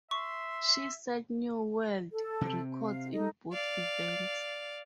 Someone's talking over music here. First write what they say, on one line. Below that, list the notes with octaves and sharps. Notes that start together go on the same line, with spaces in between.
She set new world records in both events.
E5 C6 C#6
A4
C3 C4
F5
D#4 A4 D#5
D5 F5